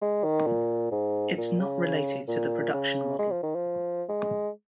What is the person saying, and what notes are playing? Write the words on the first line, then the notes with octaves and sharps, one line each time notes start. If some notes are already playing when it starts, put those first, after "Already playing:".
It's not related to the production model.
G#3
D#3
A#2
G#2
A#2
C#3
A#2
C#3
G#3
F3
D#3
F3
G#3